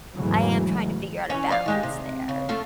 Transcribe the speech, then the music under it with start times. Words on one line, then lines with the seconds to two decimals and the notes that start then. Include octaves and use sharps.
I am trying to figure out a balance there.
0.16 E2 G#2 C#3 E3 F#3 A3
1.30 E3 C#4
1.49 F3 D5 F5
1.66 D#3 G#3 G4
1.83 C3
2.29 C#3
2.49 A3 F4